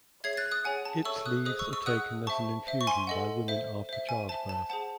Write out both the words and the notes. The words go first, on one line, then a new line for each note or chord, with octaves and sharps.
Its leaves are taken as an infusion by women after childbirth.
G#4 C#5 E5 G#6 C7
F#6 A6
D#6 F#6
G#4 C#5 F#5 G#5
A5
A4 C#5 E5 C#6 E6
D#6 F#6
G#4 C5 D#5 D#6 F#6
C#6 E6
C#6 E6
G#4 D#5 F#5 D#6 F#6
C5 E5 A5 C#6
C5 E5
C#6
G#5 C6
A4 D#5 F#5
C5 E5
C5 E5
G#5
C5 E5 A5
A5
G#4 C5 F#5 A5